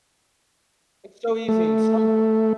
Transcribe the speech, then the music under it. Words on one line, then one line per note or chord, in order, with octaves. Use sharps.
It's so easy and some
A3